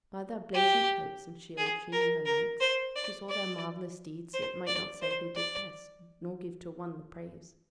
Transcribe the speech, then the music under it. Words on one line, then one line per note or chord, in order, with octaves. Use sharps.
By their blazoned coats and shields she knew her knights; she saw their marvellous deeds, yet might not say who did best, nor give to one the praise.
G4
G#4
A#4
A#4
C5
D5
D5
C5
D5
C5
D5